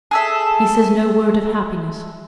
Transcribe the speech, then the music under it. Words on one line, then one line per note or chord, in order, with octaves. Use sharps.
He says no word of happiness.
G#4 A4 E5